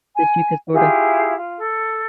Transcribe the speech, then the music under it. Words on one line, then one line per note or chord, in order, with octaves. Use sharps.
that you could sorta
G#5
E4 F4 G4 G#4
F4
A4